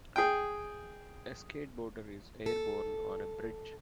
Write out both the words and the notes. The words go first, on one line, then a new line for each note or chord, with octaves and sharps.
A skateboarder is airborne on a bridge.
G#4 G5
A4